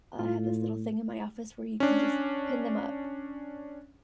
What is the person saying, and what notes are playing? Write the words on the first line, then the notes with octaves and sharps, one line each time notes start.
I have this little thing in my office where you can just pin them up.
A2 F4
C#4 D4